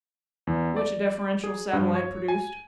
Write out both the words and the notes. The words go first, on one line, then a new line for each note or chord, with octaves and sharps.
Which a deferential satellite produced.
E2
D5
G#4
G2
C#5
G#5